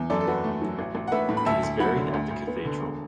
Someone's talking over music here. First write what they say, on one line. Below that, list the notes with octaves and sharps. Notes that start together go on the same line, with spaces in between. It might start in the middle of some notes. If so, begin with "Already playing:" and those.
He is buried at the cathedral.
Already playing: E2
F#2 A4 D5
A4
F#2 F#4 B4
A3
F#3
A1
A1
F#5
A3 B4 E5
A2
B5
D2 E5 A5
D2
F#3 F#5 B5
D3
D2
D2
B3
D3
E1